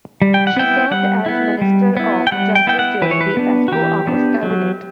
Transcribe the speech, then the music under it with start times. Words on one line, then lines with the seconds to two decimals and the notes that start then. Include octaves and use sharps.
She served as Minister of Justice during the Esko Aho's cabinet.
0.22 G3
0.34 G5
0.47 F#5
0.56 B3 E4 G5
0.91 G3 F#5
1.26 B3 E4
1.62 G3
1.97 B3 E4
2.27 G5
2.32 G3 F#5
2.55 G5
2.67 B3 E4 G5
2.79 F#5
3.02 E3 B4
3.11 C#5
3.21 B4
3.37 B3 D4
3.68 F#4
3.72 E3 G4
4.07 B3 D4
4.43 F#3